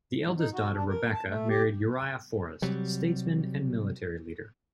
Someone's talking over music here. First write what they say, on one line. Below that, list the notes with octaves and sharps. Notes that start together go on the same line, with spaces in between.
The eldest daughter, Rebecca married Uriah Forrest, statesman and military leader.
G#2
D#4
F#4
D4
A#4
A5
A3
G4
C3 F#3 G3